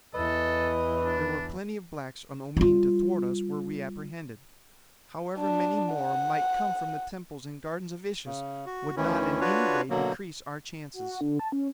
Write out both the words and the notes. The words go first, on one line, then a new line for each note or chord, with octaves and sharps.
There were plenty of blacks on Omean to thwart us were we apprehended; however many more might come from the temples and gardens of Issus would not in any way decrease our chances.
E2 E3 A4 B4 D#5
D4
G3 F4
D4
F#5
C#3
F#4
D2 D#3 E3 C#4 E4
D4 F4 F#4 B4 C#5
B2 D3 F#3 A#3
F#4
D3
A5
C#4